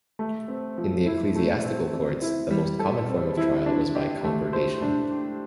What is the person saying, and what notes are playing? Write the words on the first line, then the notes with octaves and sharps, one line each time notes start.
In the ecclesiastical courts, the most common form of trial was by compurgation.
A3
C4
F3
E4
A3
C4
C4
E4
G3
A4
C4
E4
D4
G4
A3
C5
D4
G4